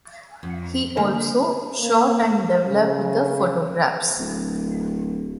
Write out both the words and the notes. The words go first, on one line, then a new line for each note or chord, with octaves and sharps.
He also shot and developed the photographs.
F2
D3 A3 A#3 A#5
A#3
C#3
D1